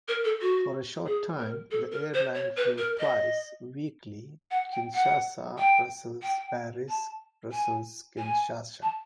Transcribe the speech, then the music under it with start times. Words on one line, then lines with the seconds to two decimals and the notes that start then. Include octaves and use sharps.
For a short time, the airline flew twice weekly Kinshasa-Brussels-Paris-Brussels-Kinshasa.
0.08 A#4
0.24 A4
0.41 F#4
1.06 G#4
1.39 A#4
1.71 A4
1.92 A#4
2.14 C5
2.35 C#5
2.57 B4
2.78 A#4
3.00 D#5
4.51 F#5
4.72 G5
4.94 F#5
5.59 G5
6.23 G5
6.89 A5
7.52 G#5
8.18 G#5
8.82 A5